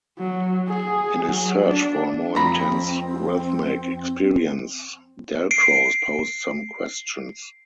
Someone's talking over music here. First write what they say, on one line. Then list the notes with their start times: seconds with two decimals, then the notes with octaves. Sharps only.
In his search for a more intense rhythmic experience, Dalcroze posed some questions.
0.19 F#3
0.68 G#4
1.29 F#3
1.66 D4
2.36 F2 C4 A#5 B5
5.51 C7 D7